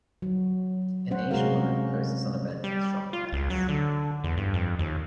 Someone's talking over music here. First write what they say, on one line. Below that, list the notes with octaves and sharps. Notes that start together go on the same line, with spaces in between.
An Asian woman poses on a bench with shopping bags.
F#3
C#4 C5 F#5
C3 G#3 C#4 F#4 A#4 F5
G3
F4
C#2
F#3
D3
E2
G2
F2
D#2